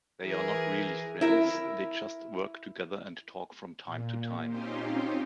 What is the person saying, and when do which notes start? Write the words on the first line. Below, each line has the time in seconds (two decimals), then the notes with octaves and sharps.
They are not really friends, they just work together and talk from time to time.
0.23 E3 G#4 A#4
1.21 E4 A#4 E5
3.84 A#2
4.47 C4 C#4 D#4 F4 G4 C5